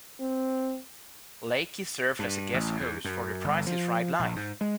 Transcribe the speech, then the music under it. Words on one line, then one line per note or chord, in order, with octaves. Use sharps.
Lachey served as guest host for The Price Is Right Live!
C4
G2
A1
E2
F#2
G1
F3
A#1
G#2
G#3